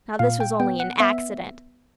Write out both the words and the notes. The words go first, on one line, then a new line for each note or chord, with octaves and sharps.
Now, this was only an accident.
A#2 F5
G5
B3 G5
F#5
B3 E5